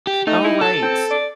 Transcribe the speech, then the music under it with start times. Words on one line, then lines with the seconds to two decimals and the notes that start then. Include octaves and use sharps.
Oh, right.
0.07 G4
0.27 A3 D#4
0.44 E4
0.61 A4 A5
0.82 C4
1.11 D5